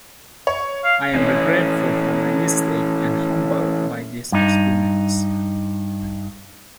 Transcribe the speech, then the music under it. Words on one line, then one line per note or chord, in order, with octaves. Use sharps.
I am regretful for my mistake and humbled by this experience.
C#5
F5
E3 C#4
G2 D#4